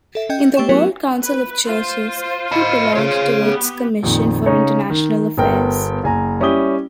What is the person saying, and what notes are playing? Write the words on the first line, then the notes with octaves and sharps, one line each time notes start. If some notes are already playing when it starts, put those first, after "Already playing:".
In the World Council of Churches he belonged to its "Commission for International Affairs".
A4 E5
C#4 D#5 G5 G6
A3 G4 C#5 G5 C#6 E7
F#3 B3 C#4 E4 F#4 A#4
B4
F4 C5
D#5 B5
G#4 C#5
B3 G4
A#1 F2 D#3
C#3 C#4 D#4 C#5
D#3
G1 B3 A#4 G5
F#1 G#5 A#5
G3 C#4 E4 G4 D#6 G7